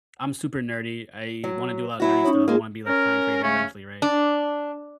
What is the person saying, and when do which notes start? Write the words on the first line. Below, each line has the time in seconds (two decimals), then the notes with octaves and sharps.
I'm super nerdy, I wanna do a lotta nerdy stuff, I wanna be, like, a content creator eventually, right?
1.44 F#3
2.00 F#3 E4 F#4
2.25 C#4 D#4 C#5
2.48 G#3 A#3 F4 G#4
2.87 C#4 A#4
3.43 C#3 A3 C#4
4.02 D4